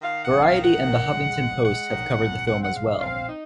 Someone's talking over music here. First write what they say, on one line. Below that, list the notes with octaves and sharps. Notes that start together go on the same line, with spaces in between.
Variety and The Huffington Post have covered the film as well.
D#3 F5
F#5
C4
F5
D#3
F#5
D#3
G#3
G#3
G#3 F#5
D#3
F2
C4 F#5
F#5
G#3 F5
C4 F5
D#4